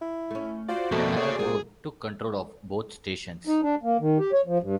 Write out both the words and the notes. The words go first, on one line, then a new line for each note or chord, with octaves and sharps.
The Air Board took control of both stations.
E4
A3 C#4
F4 F#4 C5 D5
F2 B2 A3 A#3
G#4 C#5
C2 G#3 A#3 F4 G#4
D#4
D4
A#3
D#3
G4
C#5
F3
G2